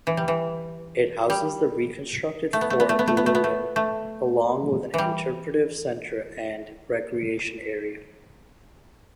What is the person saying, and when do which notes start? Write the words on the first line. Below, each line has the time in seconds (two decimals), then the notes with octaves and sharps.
It houses the reconstructed Fort Loudoun along with an interpretive center and recreation area.
0.07 E3
0.17 G3
0.28 E3
1.30 G3
2.53 A3
2.61 B3
2.70 A3
2.80 B3
2.89 A3
2.99 B3
3.08 A3
3.17 B3
3.26 A3
3.35 B3
3.44 A3
3.76 A3
4.94 E3 G3